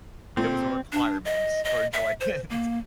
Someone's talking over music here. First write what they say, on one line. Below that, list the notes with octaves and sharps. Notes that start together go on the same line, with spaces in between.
It was a requirement for enjoyment.
A#2 A3 C4
D4
D#5
D#5
E5
C5
A#3